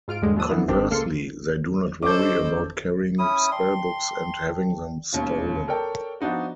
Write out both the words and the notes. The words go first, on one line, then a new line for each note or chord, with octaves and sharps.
Conversely, they do not worry about carrying spell books and having them stolen.
G#2 F4 F6 D7
E2 G#2 D3 G3 G#3
D#2 F3 D4 D#6 E6
E3 B3 D4 E4
G#1 C3 D#3 C4 D4 G4
C#2 A#3 A4 F5 C6 C#7
C#4 A4 B4 C5 D5 D#5 D6 G6
C#4 E4 E5 D#6
D5 G5 A5 C6
E1 D#2 C#4 F4
A4 A#4 C#5 D5 G5 A5
F3 B3 D4 D#4 F#4